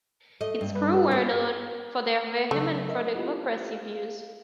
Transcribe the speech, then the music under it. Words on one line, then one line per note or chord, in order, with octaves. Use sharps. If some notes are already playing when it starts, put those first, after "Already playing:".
Its crew were known for their vehement pro-democracy views.
A3 D#5
G2
B4
C#2
A#3
C#3 F#3 A3
A#4 D#5 E5
E4 F4 G4
F5